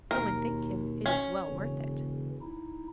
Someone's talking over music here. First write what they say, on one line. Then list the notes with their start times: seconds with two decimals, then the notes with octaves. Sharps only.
"Go and thank him: it is well worth it."
0.11 D#2 B2 A#4
1.06 C#4
1.48 E1 C#3 E3
2.42 D#4 E4